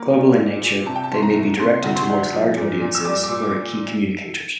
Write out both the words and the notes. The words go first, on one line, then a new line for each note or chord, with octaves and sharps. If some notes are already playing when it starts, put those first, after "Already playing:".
Global in nature, they may be directed toward large audiences or at key communicators.
Already playing: A#3
G3
A#2
A#2
C3 A5
G5
A5
C2 C6
A#5
A3
C3 C6
D2
C6
G3
F3
A#2
A#2
E6
G3 D6
D6
A#2
D6
A#2